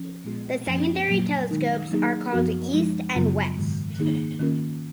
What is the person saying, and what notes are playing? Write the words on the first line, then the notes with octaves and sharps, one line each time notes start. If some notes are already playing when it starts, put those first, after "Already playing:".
The secondary telescopes are called "East" and "West".
Already playing: F3 C#4
A#2 G#3 B3 F4 G#4
F#2 F3 A#3 C#4
A#2 F#3 A#3
D#3 G#3 D#4 A#4
F#3 A#3 D#4 G#4
F#2 F3 B3 F#4 A#4
F3 G#3 D#4
F#2 C#3 F#3 B3 F4
G#2 D#3 G#3
D#3 A#3 D#4 G#4
D#3 A#3 C#4 F4 A#4